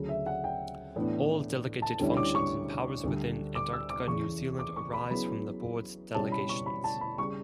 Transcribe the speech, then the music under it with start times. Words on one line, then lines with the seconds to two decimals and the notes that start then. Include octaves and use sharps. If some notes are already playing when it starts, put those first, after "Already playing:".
All delegated functions and powers within Antarctica New Zealand arise from the Board's delegations.
Already playing: D2 C#3 F#3
0.09 E5
0.26 F#5
0.44 G5
0.96 A2 E3 B3 D4
1.82 A5
2.00 D2 D3 G3 C#4 E4
2.17 D6
2.35 C#6
3.04 D2 D3 G3 D4
3.55 D6
3.73 E6
3.90 D6
4.07 E2 C#3 E3 C#6
4.59 D6
4.76 C#6
4.93 B5
5.10 C#3 F#3 B3 E4 B5
6.15 B2 G3 C#4 E4 A5
6.32 B5
6.49 C#6
6.66 B5
6.84 A5
7.01 B5
7.18 C#3 G3 C#6